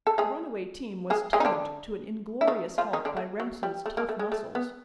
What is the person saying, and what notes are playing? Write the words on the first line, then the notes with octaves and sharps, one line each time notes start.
The runaway team was tugged to an inglorious halt by Remsen's tough muscles.
A4
G#3 G#4
G#3 G#4
G#3 G#4
D#4
D3 D4
E4
D#3 D#4
F3 F4
D#3 D#4
D3 D4
A3
F#3
G3
A3
A#3
A3
G#3
A3
B3